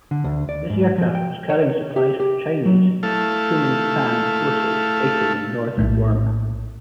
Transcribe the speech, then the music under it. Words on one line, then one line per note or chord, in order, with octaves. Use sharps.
This aircraft was carrying supplies for Chinese Kuomintang forces fighting in northern Burma.
D3
D2
D5
G#2
F3
G5
C#5
G4
G4
F#3
A3 E4 A4 F5
A#1 F#2 A2 A3